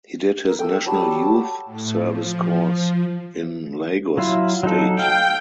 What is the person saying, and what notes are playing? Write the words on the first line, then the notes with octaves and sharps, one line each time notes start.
He did his National Youth Service Corps in Lagos State.
A#4
A4 G5 E6
F#3 G3 G4 A5
A2
F3
F#3 E4 F4
F#3 D#4 A4
F5 G5